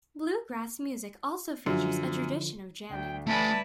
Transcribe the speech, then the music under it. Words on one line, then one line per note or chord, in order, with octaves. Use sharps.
Bluegrass music also features a tradition of jamming.
F#2 D3 F3
D2 G5
A3 E4 B4 D5 G#5 A5